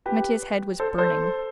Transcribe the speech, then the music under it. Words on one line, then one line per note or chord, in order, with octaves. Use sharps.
Mitya's head was burning.
G4 B4
A4 C5
A4 C5